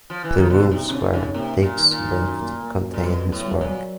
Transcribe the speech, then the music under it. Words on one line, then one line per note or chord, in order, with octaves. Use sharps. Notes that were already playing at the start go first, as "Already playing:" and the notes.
The rooms where Dix lived contain his work.
F3
E3
D#3
B2 D3
C3 D#4
C3
C#3 C4
C#3 D#4
C3 A#3
A#3
A#2
D#3
A#2
D#3
F#2
A#3
A#3
F#2
A#2
B2 F#3
B3
A2
F#3
A#2
F#3